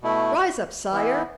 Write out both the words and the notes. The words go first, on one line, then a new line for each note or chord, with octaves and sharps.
Rise up, sire!
B2 A3 E4
E3 B3 E4